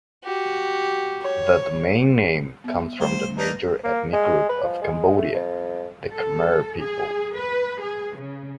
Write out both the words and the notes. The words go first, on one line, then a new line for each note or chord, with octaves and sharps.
The domain name comes from the major ethnic group of Cambodia, the Khmer people.
F#4 G4
C#5
B3 E5
G3 A3 C5 A#5
A#3 D4 D#4 B4
A#3
G#3
B4
F3
G#3
A3
F2
A4
G#4
B4
G#4
C#3